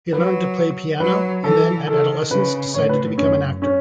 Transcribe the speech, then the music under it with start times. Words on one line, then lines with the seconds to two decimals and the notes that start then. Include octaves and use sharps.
He learned to play piano, and then at adolescence decided to become an actor.
0.13 F#3 B4
1.00 F#3 B4
1.44 E3 A4
1.87 D#3 A4
2.31 C#3 B4
2.74 A2 C#5
2.89 B4
3.17 F#2 C#4
3.62 C#4